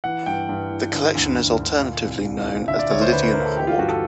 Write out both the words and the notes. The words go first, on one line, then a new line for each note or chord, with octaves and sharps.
The collection is alternatively known as the "Lydian Hoard".
E3 F#5
G2 G5
G2
E3
D3
D2
D2
D3
A#2
C2
C2
A#2
D3 E5
D5
D2 C#5
C5
D2 B4
B4
D3 A#4
A4
E3 G4
F4
G2 F#4
A4